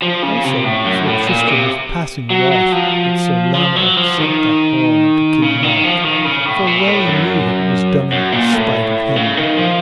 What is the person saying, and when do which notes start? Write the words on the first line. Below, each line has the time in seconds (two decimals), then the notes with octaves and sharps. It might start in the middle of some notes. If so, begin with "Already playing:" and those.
Also Sir Tristram was passing wroth that Sir Lamorak sent that horn unto King Mark, for well he knew that it was done in the despite of him.
0.02 F3
0.23 C#3
0.44 C3
0.64 A2
0.85 F#2
1.06 A2
1.27 A#2
1.47 C3
2.30 F#3
2.51 F#3
2.72 F3
3.55 F3
3.76 F#3
3.97 F3
4.18 D#3
5.42 C#3
5.63 D#3
5.84 F3
6.04 D#3
6.25 C#3
6.46 A2
6.67 A#2
6.88 A2
7.08 F#2
8.12 F#2
8.32 A#2
8.53 A2
9.16 C#3
9.37 D#3
9.57 F3